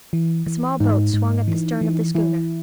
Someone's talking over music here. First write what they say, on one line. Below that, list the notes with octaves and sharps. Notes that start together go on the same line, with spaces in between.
A small boat swung at the stern of the schooner.
E3
E3
G#2 D#4
G#2
E3
E3
E3 E4